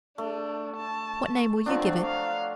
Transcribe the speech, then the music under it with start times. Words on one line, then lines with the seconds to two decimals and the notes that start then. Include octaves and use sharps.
What name will you give it?'
0.18 A3 D4
0.77 A5
1.66 F3 F#3 C4 D4
2.06 F5